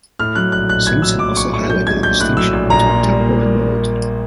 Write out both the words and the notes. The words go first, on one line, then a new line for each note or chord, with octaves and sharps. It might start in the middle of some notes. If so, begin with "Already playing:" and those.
Simpson also highlighted the distinction between tempo and mode.
A2 F6
F#3 F#6
A#1 F#6
A#1 F#6
A2 G#6
F#3 E6
A#1 D6
A#1 C#6
A2 C#6
F#3 G6
A#1 G#6
A#1 G6
A2 F#6
F#3 E6
A#1
A#1 A#5
A#2
G3
A#3